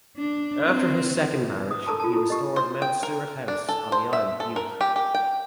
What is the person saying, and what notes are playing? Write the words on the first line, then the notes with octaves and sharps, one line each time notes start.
After his second marriage, he restored Mount Stuart House on the Isle of Bute.
D4
C4
D#6
A4 A#4 A5 A#5
F4 A5
E4 A4
G4 D#5
C5
G5
A#4
D4
A4
C5
E5
A4
A#4
G4
G4
G5